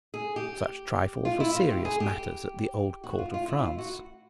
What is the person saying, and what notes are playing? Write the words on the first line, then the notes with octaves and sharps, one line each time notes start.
Such trifles were serious matters at the old court of France.
G#4
G4
F4
E4
F4
G4
G#4
G4
F#4
F4
F4
E4
E4
F4
F#4